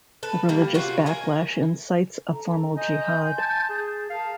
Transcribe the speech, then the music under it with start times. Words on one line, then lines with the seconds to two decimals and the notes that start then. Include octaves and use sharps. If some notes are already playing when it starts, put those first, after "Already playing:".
A religious backlash incites a formal jihad.
0.23 A4 B4
0.49 G3 A#3
0.74 C3 F4 F#4
1.06 A#4 G#5
2.30 A4 A#5
2.76 D#5 G#5 C6 G6
3.38 A5
3.69 G#4
4.10 A#4 F5 A5